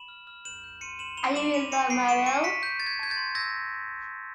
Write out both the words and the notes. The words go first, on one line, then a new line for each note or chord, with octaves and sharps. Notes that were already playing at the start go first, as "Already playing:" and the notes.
Are you in love, Muriel?
Already playing: B5 E7 F#7
F6
F6
G6 E7 F#7
G6
C6 C#7 D#7
C6 E7 F#7
B5 F7 G7
D6 E7 F#7
B5 D#7 F7
B5 C#7 D#7
C#6 C7 D7
C#6 D7 E7
C#6 C#7 D#7
F#6 B6 C#7
G6
G6 A6
G#6
A5 G#6
G6 A6
C6
E6 G#6 A#6